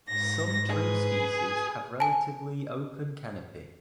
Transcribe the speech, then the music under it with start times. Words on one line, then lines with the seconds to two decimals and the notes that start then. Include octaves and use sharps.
Some tree species have relatively open canopy.
0.10 G#2 A#6
0.70 G#4 B4
2.00 G#5 A5